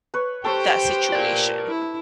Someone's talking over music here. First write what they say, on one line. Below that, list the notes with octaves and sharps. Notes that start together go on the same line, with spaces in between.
that situation?
B4 C#5
G4 A4 C5 C#5 G5
A#4 D5
E4